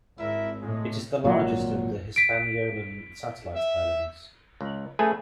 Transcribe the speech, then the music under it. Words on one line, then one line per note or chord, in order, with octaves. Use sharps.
It is the largest of the Hispaniolan satellite islands.
G#1 E4 A#4 E5
A2 G#3
G#1 A#2 F3 F#3
B6 D7
E5
C#2
A3 C#4 G#4 B4 G#5